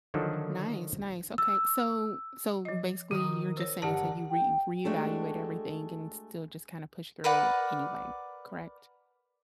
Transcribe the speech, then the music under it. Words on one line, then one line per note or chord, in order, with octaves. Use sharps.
Nice, nice. Okay, so so, basically, you're just saying so you re reevaluate everything and still just kinda push through anyway, correct?
D3 D#3 F3 F#3 D4 A4
E6
F3 D#5
D#3 F#4 A#4 D#6
C5 C#5 E6
G1 G4 A#4 D5 F#5 A5
G5
G#3 A3 D4 F#4 G4 A4
A#4 B4 D5 F#5